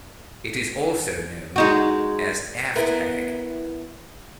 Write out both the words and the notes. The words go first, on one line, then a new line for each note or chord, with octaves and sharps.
It is also known as avtag.
G#3 D#4 F#4
B3 E4 A#4